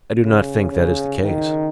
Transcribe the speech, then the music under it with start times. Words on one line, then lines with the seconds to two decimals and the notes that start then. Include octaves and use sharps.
"I do not think that is the case."
0.21 C#3
0.71 C#3
1.23 D#3